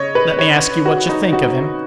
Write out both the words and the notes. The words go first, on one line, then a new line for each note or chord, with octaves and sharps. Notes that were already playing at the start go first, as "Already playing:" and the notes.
Let me ask you what you think of him?'
Already playing: C#3 C#5 D#5
B4
C#5
F#4
D#4
F#4